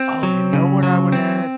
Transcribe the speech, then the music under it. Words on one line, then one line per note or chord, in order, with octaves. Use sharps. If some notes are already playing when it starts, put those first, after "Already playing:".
Oh, you know what I would add?
Already playing: C4
F#3
C#3
F#3
C4